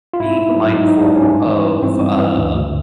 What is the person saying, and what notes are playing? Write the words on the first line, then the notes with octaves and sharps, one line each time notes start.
being mindful of uh
F4
G#2 E4
G#2
F#3
G#2 D#4
D#4
G#2
D4
G#2 C#4
G2
E3
E3
G2 C4
G2
E3
D2
D2